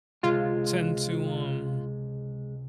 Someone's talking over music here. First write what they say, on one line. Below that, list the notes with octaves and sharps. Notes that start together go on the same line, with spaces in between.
tend to, um
C#2 C3 G#3 F4